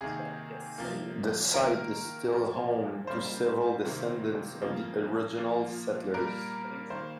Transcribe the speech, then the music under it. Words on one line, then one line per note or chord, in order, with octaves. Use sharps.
The site is still home to several descendants of the original settlers.
C3 D#3 A#3 G#4
C3 F3 A#3
D#3 A#3 A#4
A#2 F3 A#3
C#3 G3 A#3 C5
C3 D#3 A#3
C#3 F3 A#3
A#2 F3 A#3
A#2 G3 A#3 A#4
D#3 A#3 C5